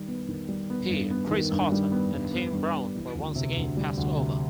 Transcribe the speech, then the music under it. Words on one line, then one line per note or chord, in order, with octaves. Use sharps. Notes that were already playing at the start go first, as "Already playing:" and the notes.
He, Cris Carter, and Tim Brown were once again passed over.
Already playing: D#3 G3
B3
D#3
G3
B3
G2
B3
D#3
G2
G3
B3
G2
B3
G2
B3
E3
D2
C3
D2
G3
D2
C3